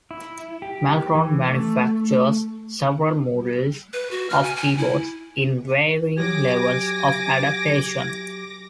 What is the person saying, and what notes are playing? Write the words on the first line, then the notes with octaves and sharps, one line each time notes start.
Maltron manufactures several models of keyboards, in varying levels of adaptation.
E4
G4
E3
A3
B4
F#4
F6
G#5
G#5
E4
F#3 G4 G#5 D6 A#6